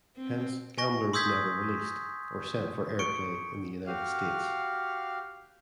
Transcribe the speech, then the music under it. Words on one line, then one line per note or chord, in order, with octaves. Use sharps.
Hence "Gambler" was never released, or sent for airplay in the United States.
C4
G#5 C#6 A#6
C6 D#6 E6 G6 G#6 B6
C#6 C#7 D7
F#4 G4 F5 F6